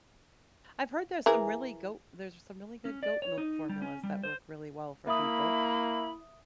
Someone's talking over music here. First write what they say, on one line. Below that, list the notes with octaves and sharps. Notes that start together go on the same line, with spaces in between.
I've heard there's some really goat there's some really good goat milk formulas that work really well for people,
E3 G#4 A#4
C#4
D5
C#5
D#4
G3
C#4
G3
C5
A#3 E4 E5 B5 D#6